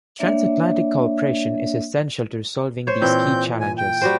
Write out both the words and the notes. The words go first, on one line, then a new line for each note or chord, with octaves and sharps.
Transatlantic cooperation is essential to resolving these key challenges.
A#3 D4 C#5 D5 E5
C5 C#5
A#2 E3 C4 G6
G#5
G5
G3 F#4 C5